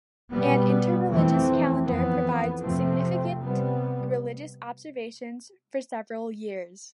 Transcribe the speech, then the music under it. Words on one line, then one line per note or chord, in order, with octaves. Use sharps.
An inter-religious calendar provides significant religious observations for several years.
B2 G3 B3
F2 E3 A3 C4
F2 E3 B3
F2 C3 F3 A3 C4
C3 G3 B3